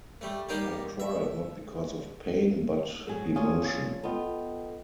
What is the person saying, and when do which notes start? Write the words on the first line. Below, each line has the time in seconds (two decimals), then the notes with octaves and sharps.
I cried not because of pain but emotion.
0.21 G3 A3
0.49 G3 A#3 D#4 G4
1.00 E5
3.06 G#2 F#3 G#4
3.36 C#4 D4 F4 F5 G#5 D#6
4.03 B3 F4 A4 D#5 G5